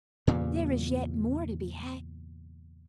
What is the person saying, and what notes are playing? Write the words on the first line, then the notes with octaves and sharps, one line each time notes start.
"There is yet more to be had!"
E2 G2 A#2 C#3